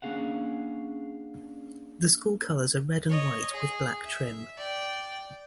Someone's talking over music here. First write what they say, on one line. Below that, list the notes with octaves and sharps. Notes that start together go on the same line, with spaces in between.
The school colors are red and white with black trim.
A#3 C#4 D4 G#4 F5 F#5
C#5 D#5
G#4
E5
D5 G5